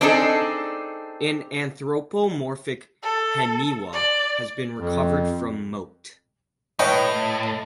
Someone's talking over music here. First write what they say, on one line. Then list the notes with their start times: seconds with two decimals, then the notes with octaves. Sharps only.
An anthropomorphic "haniwa" has been recovered from moat.
0.01 C4 D4 D#4 G#4 A4
3.02 A4
3.93 D5
4.78 F2
6.79 A2 B4 C#5 D#5 G5